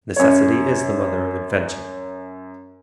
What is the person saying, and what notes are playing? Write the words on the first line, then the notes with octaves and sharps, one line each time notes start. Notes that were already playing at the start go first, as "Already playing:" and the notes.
Necessity is the mother of invention.
F#2 C#5